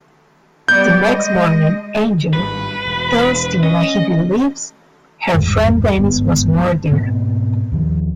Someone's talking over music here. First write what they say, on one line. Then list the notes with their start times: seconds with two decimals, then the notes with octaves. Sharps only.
The next morning, Angel tells Tina he believes her friend Denise was murdered.
0.68 G3 B3 D5 G6
1.10 G#3 D#5
2.33 G#1 G2 B4
2.86 E1
3.63 C#4 D#5
5.34 G#1 E2 G2 G#3
5.98 D1 G1 G#2 B3
6.91 G#2 B2 A#3 C4
7.72 D#2 D#3 F3